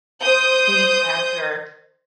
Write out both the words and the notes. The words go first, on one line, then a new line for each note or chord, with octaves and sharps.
chased after,
C5 D#6 G6